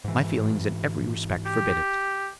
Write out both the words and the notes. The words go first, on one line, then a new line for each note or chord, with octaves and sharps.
My feelings in every respect forbid it.
G#2 E3
G4